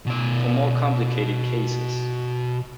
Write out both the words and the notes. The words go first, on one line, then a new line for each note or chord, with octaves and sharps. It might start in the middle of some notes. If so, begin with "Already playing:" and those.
For more complicated cases.
B2 D5